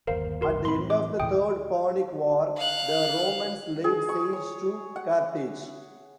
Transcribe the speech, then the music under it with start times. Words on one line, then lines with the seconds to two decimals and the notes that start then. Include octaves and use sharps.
At the end of the Third Punic War, the Romans laid siege to Carthage.
0.07 G1 D#2 A#4 C5 F5
0.41 F#1 C2 F#4 A#4 C6
0.65 A2 E3 C4 B5 C6
0.90 D6
1.20 D2 A2 E3 G5 D#6
2.57 F5 F#6
3.84 G#4
4.09 C#6
4.33 C#5
4.96 F#5